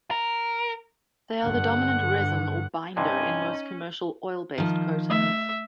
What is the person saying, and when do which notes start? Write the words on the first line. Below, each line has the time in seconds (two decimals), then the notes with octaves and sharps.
They are the dominant resin or "binder" in most commercial "oil-based" coatings.
0.11 A#4
1.44 G2 D3 F#5
2.97 G2 C3 C#4 D#4 G#5
4.58 D#3 F3
5.10 A3 E5